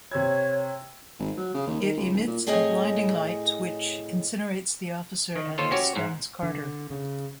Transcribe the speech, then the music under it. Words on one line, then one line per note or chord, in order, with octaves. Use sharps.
It emits a blinding light which incinerates the officer and stuns Carter.
C3 C#5 E6 G#6
G#1
F#3
C#3
D#2
D#3
C#2
D#1
A#2
A2 C4 G#4 C#5 D#5 G#5
D#3
D#2 F4 A4 C5 C#5
C#4 F#4 G4 C#5
G#2
D3
C#3